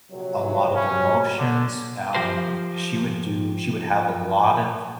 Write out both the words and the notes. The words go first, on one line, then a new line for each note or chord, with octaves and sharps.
a lot of emotions, um, she would do she would have a lot of f
A#1 C3 F#3
C#4
D3
F3 G4 A#4 C5